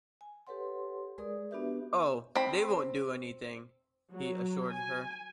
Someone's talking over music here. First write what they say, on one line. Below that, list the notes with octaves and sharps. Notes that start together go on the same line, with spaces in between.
"Oh, they won't do anything," he assured her.
G#5
G4 A4 B4 C#5 F#5 C6
G#3 G#4 A#4 D5 D#6
B3 D4 F#4 G4 B4 E5
C4 B5
F#3
G#5